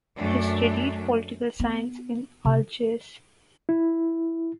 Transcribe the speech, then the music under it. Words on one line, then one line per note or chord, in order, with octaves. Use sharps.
He studied political science in Algiers.
F#2 A3 D4
B3
C3
E4